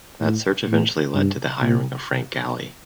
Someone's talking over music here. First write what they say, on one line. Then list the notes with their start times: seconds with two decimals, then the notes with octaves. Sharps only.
That search eventually led to hiring of Frank Galey.
0.21 A2
0.68 A2
1.14 G2
1.61 A#2